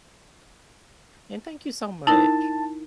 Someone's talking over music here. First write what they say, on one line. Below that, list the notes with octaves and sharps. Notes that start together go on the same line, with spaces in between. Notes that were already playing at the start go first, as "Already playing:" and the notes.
and thank you so much.
D#4 E4 A#4 A5